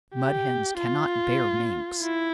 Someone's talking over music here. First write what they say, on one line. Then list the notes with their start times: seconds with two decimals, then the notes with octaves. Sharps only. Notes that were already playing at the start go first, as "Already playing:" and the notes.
Mud Hens cannot bear Minks.
0.15 G4
0.78 F4
2.02 E4